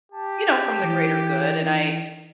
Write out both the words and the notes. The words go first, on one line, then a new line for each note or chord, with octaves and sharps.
you know, from the greater good, and I
G4 A5
E3